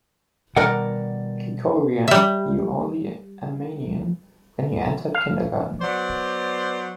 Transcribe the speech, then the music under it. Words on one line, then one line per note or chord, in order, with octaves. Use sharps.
Krikorian knew only Armenian when he entered kindergarten.
B2 D#3 G3 A#4 D5 F#5
G3 E5
F5
F#3 B3 C5 D5